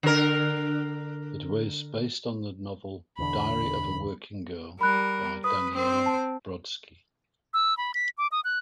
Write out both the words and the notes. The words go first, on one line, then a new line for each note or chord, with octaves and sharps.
It was based on the novel "Diary of a Working Girl" by Daniella Brodsky.
D3 A#4
E1 E2 D3 B5
G3 A#4 B5 F#6
B4 D#6
C4 C5
A5
E6
B5
B6
D6
D#6
F#6